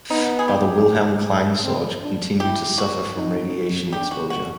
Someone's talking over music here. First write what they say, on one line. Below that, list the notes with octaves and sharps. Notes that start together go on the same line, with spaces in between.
Father Wilhelm Kleinsorge continued to suffer from radiation exposure.
B3 D#4
G#4
G4
C4
D4
E4 G4
F#4
D#4
D4 G4
F#4
F#4